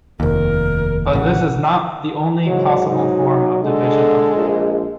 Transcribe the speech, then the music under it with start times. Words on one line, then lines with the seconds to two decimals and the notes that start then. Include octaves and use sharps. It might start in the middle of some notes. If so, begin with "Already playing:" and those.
But this is not the only possible form of division of labor.
0.20 F1 D#2 A#4
1.13 A1 C#3 F#5
2.46 G#2 C#3 F#3
2.87 F#3 D#4
3.63 D3 G#3 A4
4.35 A#1